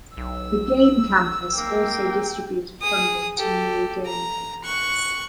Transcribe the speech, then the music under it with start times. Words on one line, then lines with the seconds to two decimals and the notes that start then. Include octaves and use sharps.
The game campus also distributed funding to new game companies.
0.17 B1 E6
1.57 A#3 G5
2.82 G#4 D#6
3.37 G4 A4
4.05 A#5
4.64 C#6 F#6